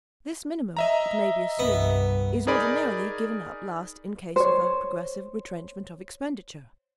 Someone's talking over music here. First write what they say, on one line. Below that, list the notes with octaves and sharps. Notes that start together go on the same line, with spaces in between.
This minimum, it may be assumed, is ordinarily given up last in case of a progressive retrenchment of expenditure.
D#5 E5 A#5
C2 G2 B3
D#4 G#4 A#4 D5 B5
C5 C#5